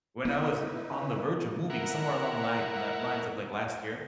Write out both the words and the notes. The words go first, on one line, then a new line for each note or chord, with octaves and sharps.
when I was on the verge of moving somewhere along li na lines of like last year,
B3 D#4 E4 B4
E4 A#4 F#5